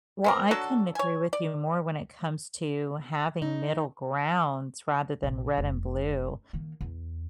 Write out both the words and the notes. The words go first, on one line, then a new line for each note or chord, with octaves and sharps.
Well, I couldn't agree with you more when it comes to having middle grounds rather than red and blue.
B3 C4 A#4
F#3 D4 F#4 A4
C#5 G#5
D5
D#4
A#1 C3
F1
D#3 A#3
E2